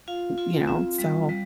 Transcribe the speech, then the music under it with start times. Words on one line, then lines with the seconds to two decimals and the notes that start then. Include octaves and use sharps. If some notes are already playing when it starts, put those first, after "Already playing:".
you know? So,
0.08 F4 F5
0.38 F4
0.68 C4
0.98 G3
1.29 G3